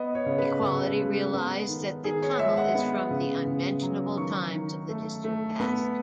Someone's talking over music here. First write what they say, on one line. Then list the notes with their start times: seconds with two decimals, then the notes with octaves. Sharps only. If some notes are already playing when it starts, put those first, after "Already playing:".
Equality realized that the tunnel is from the Unmentionable Times of the distant past.
Already playing: B3 D#5
0.15 C#5
0.26 C#3
0.38 B4
0.62 C#3 A4
0.97 G#3
1.34 B3
1.68 D#3
2.04 D#3 G#4
2.22 C#5
2.39 G#3 E5
2.57 F#5
2.75 B3
3.10 C#3
3.46 C#3
3.82 F#3
4.17 D#3 C#6
4.53 D#3
4.89 A3
5.24 A3
5.60 B3 B5